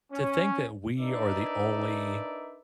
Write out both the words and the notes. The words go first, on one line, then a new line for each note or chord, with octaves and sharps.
to think that we are the only
C#4
D4 D#4 A#4 B4 D5 E5